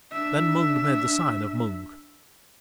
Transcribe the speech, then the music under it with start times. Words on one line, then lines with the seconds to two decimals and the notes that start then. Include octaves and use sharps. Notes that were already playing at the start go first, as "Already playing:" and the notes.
Then Mung made the sign of Mung.
0.12 D4 E5